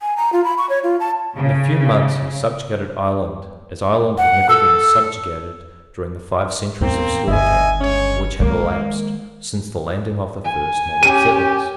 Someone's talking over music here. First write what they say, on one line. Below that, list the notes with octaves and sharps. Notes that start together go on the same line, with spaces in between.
In a few months he subjugated Ireland, as Ireland had never been subjugated during the five centuries of slaughter which had elapsed since the landing of the first Norman settlers.
G#5
A#5
F4
B5
C#6
C#5
F4
A5
C#3
F#5
A4 E6
E2 A2 A#3 C4
G1 D#2 D#5 E5 G#5
G#3 C#4 C#5
D#3 G#3 A#3
G#5
C#4 G4 D#7